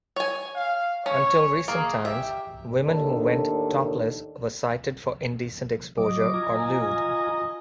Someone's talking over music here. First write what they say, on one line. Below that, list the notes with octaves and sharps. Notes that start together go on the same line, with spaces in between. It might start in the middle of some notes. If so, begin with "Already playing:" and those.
Until recent times, women who went topless were cited for indecent exposure or lewd.
C#5 G#5
F5
C#4 C#5
A#3 G#4
G4 E5
D#2 A2 D4 A4
F#3 D#5 D6
F4 G#5 A#5